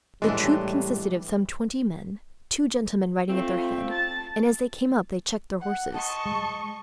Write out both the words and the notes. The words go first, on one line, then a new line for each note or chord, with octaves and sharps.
The troop consisted of some twenty men, two gentlemen riding at their head; and as they came up, they checked their horses.
A2 E3 G3 G#3 D4
A3 C4 F4
A5 A6
F#5
D#5 A5 C#6
G#3